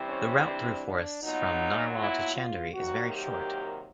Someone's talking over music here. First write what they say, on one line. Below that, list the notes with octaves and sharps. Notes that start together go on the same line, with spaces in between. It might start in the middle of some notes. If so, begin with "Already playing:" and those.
The route through forests from Narwar to Chanderi is very short.
Already playing: C3 E3 G3 C4
C#4
D4
D4
A#2 F#3 B3 D#4
E4
F4
C3 D#3 F#3 A#3 F#4
G4